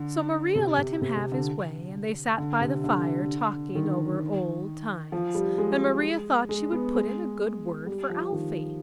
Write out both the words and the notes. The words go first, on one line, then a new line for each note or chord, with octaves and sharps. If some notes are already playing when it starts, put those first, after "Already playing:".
So Maria let him have his way and they sat by the fire talking over old times and Maria thought she would put in a good word for Alphy.
Already playing: D3
C3
C3
C3
C3
D3
D3
C3
D3
D#3
F3
G3
G#3
G#3
B3
G#3
G3
F3
D#3